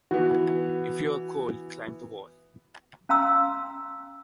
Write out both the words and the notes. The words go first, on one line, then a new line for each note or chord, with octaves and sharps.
If you are cold, climb the wall.
E3 B3 F#4
C#4 F5 A#5 C6 E6